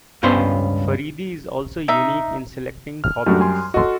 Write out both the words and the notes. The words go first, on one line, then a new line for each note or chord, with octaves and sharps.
Faridi is also unique in selecting hobbies.
C#2 G2 B3 C#4 C5 C#5
D#4 E5
F6
F#2 G3 A3 D4 F#4
G#5 C6
F#4 A4 D#5 C6